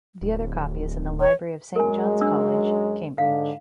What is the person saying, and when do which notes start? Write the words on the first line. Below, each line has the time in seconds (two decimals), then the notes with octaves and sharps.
The other copy is in the library of Saint John's College, Cambridge.
0.21 D1
1.20 C#5
1.76 F#2 F#3 G#3 A#4 G#5
2.21 D4 E6
3.18 G#2 D3 F5